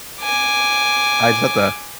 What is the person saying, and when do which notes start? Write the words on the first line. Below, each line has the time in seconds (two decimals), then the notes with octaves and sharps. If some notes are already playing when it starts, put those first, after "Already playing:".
I just have to
0.21 G#5 D6